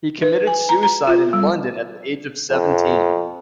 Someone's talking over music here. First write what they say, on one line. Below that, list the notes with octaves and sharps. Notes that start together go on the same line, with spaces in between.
He committed suicide in London at the age of seventeen.
B4
G#5
A#5
A#5
F4
G3
F2